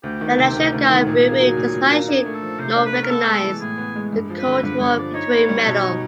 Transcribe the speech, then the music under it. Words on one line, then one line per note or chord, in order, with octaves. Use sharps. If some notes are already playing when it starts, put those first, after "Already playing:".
The National Guard Bureau does not issue nor recognize the Cold War Victory Medal.
D2 G4
D#3
C3
D2
D2
D#3
A#2 G#4
A#3
F#3
A#2
A#2
A#3
D4 G#4
A3
A4
F3
C3 C5
D4
B4
A3
A#4
B3 A4
G#3
E3
A2 G#4
B3
G#3
G2
F3
B4
D3
G2 B4
G2 C#5
F3 D5
D#4 C#5
B3
G3
B2
D#4